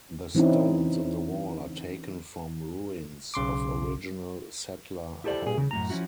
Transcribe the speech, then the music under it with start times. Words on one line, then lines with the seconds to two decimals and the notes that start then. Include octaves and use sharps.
The stones in the wall are taken from ruins of original Settler homes.
0.35 E3 C4 C#4 D#4 E4
3.34 B1 C#3 C6 D6
5.24 E4 G4 A4 C5 D5
5.46 A#2 G#4
5.58 C#3
5.71 F#2 A2 A#5
5.90 F3 C#4 D#4 E4 F#4